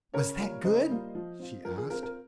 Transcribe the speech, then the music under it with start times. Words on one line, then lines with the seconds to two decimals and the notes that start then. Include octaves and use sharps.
"Was that good?" she asked.
0.14 C#3 A#4 C#5
0.39 G3 A#3 F4
0.64 C#3 C5 D#5
0.89 G3 A#3 F4
1.15 F3
1.40 C4 F4
1.65 F3 A#4
1.77 G#4
1.90 C4 F4 A#4
2.03 A#4